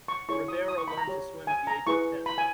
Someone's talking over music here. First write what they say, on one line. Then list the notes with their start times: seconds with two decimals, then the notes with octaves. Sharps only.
Ribeiro learned to swim at the age of ten.
0.08 C#6
0.29 E4 G#4 C#5 C#6
0.48 D#6
0.68 D#6
0.78 C#6
0.88 B5
0.98 A#5
1.08 G4 C#5
1.47 G#5
1.67 A#5
1.87 E4 G#4 B4 C#6
2.26 B5
2.38 G#5